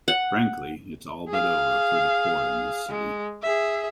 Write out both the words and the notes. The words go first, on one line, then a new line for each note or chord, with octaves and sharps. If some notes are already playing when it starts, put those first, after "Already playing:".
Frankly, it's all but over for the poor in this city.
F#5
G#4 F5
G#3
G#4 E5